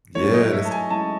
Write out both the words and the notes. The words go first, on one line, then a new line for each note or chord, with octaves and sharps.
Yeah, that's t
F#3 A3 E4 A4 C#5
D#5
E5
A5
G#5
G#3 C#4 E4 A5